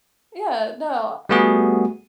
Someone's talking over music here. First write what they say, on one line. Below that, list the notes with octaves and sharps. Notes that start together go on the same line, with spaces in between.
Yeah, no.
G3 A3 B3 F#4 G#4